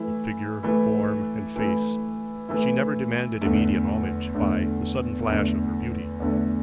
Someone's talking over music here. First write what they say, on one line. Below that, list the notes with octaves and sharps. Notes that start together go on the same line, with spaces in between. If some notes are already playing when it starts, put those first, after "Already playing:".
In figure, form, and face she never demanded immediate homage by the sudden flash of her beauty.
Already playing: E3 A3 E4
E3 A3 E4
E3 A3 E4
E3 A3 E4
E2 D3 A3
E2 D3 A3
E2 D3 A3
E2 D3 A3